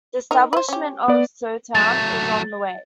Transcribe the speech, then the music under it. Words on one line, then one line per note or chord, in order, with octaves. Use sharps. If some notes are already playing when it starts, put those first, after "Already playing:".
The establishment of a Shou Town is on the way.
D#4 A#4
B4 C5
C#4 G4
B3 D5
F#3 A3 A6